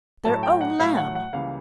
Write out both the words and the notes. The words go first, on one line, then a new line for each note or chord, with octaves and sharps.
Their own Lamb!
A2 F#3 A3 A5
G5
F#5
A2 F#3 A3 F5
F#5
F#5
C#2 C#3 E3 G3 A#3 F5